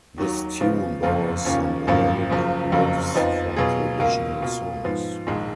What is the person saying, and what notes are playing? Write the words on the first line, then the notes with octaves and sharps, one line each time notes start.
This tune borrows some melodic riffs from traditional songs.
D#2 D#3 F#3
C#3 F3 B3
F#1 F2 F3 A#3 F4
D#2 C#3 F3 A#3 C#4
G#1 F#2 C#3 F3 A#3
F#1 F#2 C#3 F3 A#3
F#1 F2 C#3 F#3 A#3
F2 F3 B3 D#4
B2 F#3 B3 F4 G#4
C#2 B2 A#3 F4 A#4
B2 A#3 F4
G#2 F3 B3
A#1 G#2 D#3 G#3